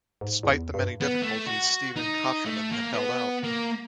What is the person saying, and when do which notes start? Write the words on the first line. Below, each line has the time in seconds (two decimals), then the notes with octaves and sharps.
Despite the many difficulties, Stephen Kotroman had held out.
0.21 G#2
0.43 E2
0.74 G2
1.01 B3
1.22 A3
1.47 F#4
1.96 D#4
2.46 A3
2.72 A#3
2.93 B3
3.43 A#3